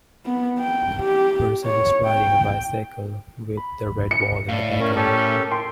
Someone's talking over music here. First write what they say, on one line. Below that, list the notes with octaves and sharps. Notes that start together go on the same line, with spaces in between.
A person is riding a bicycle with a red wall in the background.
B3
G5
G4
C#5
G5
B5
C#7
A2 D5 F5
C#4 A#4
C#4 G4 A4
G5 C6